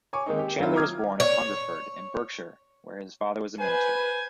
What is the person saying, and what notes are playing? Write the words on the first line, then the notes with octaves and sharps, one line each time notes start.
Chandler was born at Hungerford in Berkshire, where his father was a minister.
C#5 G#5 C#6 D6
D#3 G#3 A#3 C4 D#4
G4
D#3 F#3 C4 E4 F4
A#5 D6 D#6 F6 G#6
C#5
B4 C5 G#5